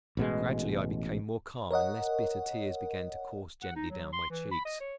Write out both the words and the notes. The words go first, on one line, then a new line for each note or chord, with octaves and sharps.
Gradually I became more calm and less bitter tears began to course gently down my cheeks.
A1 B2 G#3
A#4 C#5 D#5 F#5
F#5
D#4
F#3
C6
E3
B5
D#5
C#5